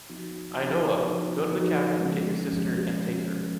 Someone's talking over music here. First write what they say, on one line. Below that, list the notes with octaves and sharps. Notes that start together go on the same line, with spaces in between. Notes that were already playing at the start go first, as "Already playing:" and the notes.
Ainhoa, go to the cabin, get your sister, and take her.
F3 B3 D#4 F#4
F3 B3 D#4 F#4
F3 B3 D#4 F#4
F3 B3 D#4 F#4
F3 G#3 C#4
F3 G#3 C#4
F3 G#3 C#4
F3 G#3 C#4